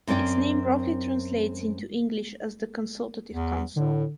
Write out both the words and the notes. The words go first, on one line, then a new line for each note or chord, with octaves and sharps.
Its name roughly translates into English as "the Consultative Council".
F#2 C4 C#4 D5 G5
E2
A2 D3